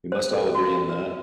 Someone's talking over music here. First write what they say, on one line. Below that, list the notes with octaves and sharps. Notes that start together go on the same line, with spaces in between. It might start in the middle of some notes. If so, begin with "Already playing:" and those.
We must all agree in that.
C5
A4
F#4